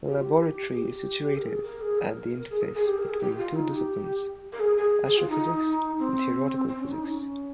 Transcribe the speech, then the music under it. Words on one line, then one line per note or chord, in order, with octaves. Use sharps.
The laboratory is situated at the interface between two disciplines, astrophysics and theoretical physics.
G4
F4
G4
G#4
G4
A#4
G#4
A#4
G#4
A#4
G#4
A#4
G#4
G4
A#4
G#4
G4
F4
D#4
G4
A#4
G#4
G#4
G#4
F4
D#4
C4
C4
C#4
D#4
C#4